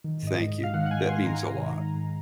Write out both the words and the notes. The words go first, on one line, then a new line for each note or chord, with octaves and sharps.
"Thank you, that means a lot."
D#3
G#2 D#5
G#2
G#2
F5
D#3 F#5
F#5
G#2 G#5
D#3 C6
D#3 A#5
G#2
G#2
G#2
G#2